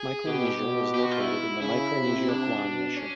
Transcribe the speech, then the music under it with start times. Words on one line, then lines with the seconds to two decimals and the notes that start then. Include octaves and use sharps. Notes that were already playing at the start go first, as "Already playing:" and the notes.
Micronesia is located in the Micronesia Guam Mission.
Already playing: G#4
0.26 B2 G4
0.60 B2
0.95 G4
1.03 F#4
1.11 F4
1.20 E4
1.61 C#3 E4
1.95 C3
2.29 D4
2.63 B2
2.96 C#4